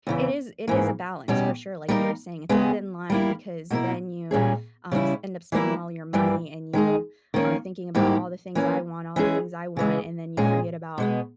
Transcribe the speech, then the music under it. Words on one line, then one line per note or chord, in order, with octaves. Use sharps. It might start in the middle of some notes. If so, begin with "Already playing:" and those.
it is it is a balance for sure, like you were saying. It's a thin line because then you, um, s end up spending all your money and you are thinking about "all the things I want, all the things I want," and then you forget about
E2 C#3 E3
G#2 E3 A#3
E2 B2 G3 C#4 G4
G3 A#3 D#4 G4 A#4
E2 C#3 G#3 B3 G4
G3 A#3 E4
B2 A#3 E4 A#4
A#2 G3 C#4 G#4
C#3 G3 C#4 E4
E3 G3 A#3 E4
G2 E3 G3 A#3
D#3 G#3 D#4 G#4
D#3 A#3 C#4
G#2 G3 A#3 E4 G4
E3 A#3 C#4
E3 G#3 C#4 G#4
C#3 E3 G#3
A#2 G#3 C#4 G#4
B2 G#3 B3